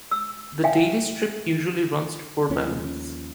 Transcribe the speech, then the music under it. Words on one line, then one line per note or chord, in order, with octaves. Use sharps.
The daily strip usually runs to four panels.
E6
E5 F5 G5 G#5
D#2 F3 C#4